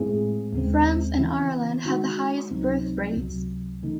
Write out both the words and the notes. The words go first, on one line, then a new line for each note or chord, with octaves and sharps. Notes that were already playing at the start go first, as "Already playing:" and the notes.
France and Ireland have the highest birth-rates.
Already playing: A2 G#3 C4 E4 G#4
D#2 C#3 G#3 C4
C#3 E3 C4 E4
D#3 G#3 D#4 F#4
C#2 C3 F#3 C4 D#4
C#2 C3 F#3
C#3 E3 A3 D#4